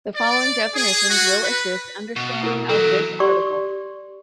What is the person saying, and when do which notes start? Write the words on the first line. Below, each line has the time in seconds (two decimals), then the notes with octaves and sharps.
The following definitions will assist understanding of this article.
0.16 D5
0.75 G#4
1.09 F#4
1.44 B4
2.16 B2
2.43 E4 A#4
2.69 E3 F#3 A4
3.20 G4 D5 C6 C#6